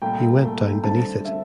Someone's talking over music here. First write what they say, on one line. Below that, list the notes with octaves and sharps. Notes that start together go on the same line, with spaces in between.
He went down beneath it.
C2 A#2 A3 G5
C2 A#2 A3
G2 D3 A3 C4 A5
D3 A3 C4 E5